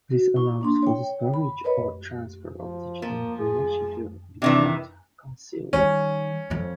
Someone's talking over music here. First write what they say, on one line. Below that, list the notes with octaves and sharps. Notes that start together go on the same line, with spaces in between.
This allows for the storage or transfer of digital information to be kept concealed.
F#4
E4 C#6
A#3 D4 C6
C#5 G5
B5
A#4 B4 C#5 D#5 B5
F3
F3 A#3
G#4
C3 D#3 E3 D4
D#3 G3 C#4
F2 F3